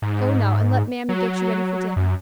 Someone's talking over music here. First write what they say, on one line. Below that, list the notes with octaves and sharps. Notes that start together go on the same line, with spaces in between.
"Go now and let mammy get you ready for dinner."
G#2
F#3
F#2